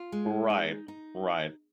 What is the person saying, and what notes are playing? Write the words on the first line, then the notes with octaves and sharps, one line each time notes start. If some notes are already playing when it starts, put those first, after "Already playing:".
Right, right.
Already playing: F4
G#3
D#4
D#4